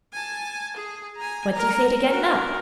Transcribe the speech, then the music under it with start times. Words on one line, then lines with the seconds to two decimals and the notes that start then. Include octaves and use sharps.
"What do you say to gettin' up?"
0.13 G#5 A5
0.76 G#4
1.17 G#5 A#5
1.52 A#4 A#5
2.10 F#4 A#4